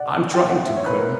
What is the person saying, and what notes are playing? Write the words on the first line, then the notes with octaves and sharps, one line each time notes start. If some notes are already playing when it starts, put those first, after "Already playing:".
"I'm trying to, Colonel."
Already playing: D5 F#5
G5
F#5
E5
C#5
B4
A#4